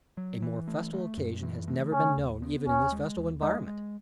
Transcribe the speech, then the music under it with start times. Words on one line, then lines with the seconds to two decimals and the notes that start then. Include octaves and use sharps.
A more festal occasion has never been known even in this festal environment.
0.17 F#3
0.42 E3
0.68 A3
0.93 A3
1.17 F#2
1.42 E3
1.67 A3
1.92 C#3 C#4
2.17 D#2
2.42 B3
2.67 D#2 C#4
2.92 G#3
3.17 D#2
3.41 G#3 D#4
3.67 G#3